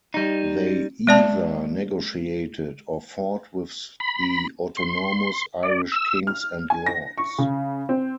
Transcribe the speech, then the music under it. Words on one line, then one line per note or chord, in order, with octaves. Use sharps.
They either negotiated or fought with the autonomous Irish Kings and lords.
G3 D#4
G#3 D5 A5
B5
C6
D5
E6
F6
G#5
A#6
C#6
C#3
C4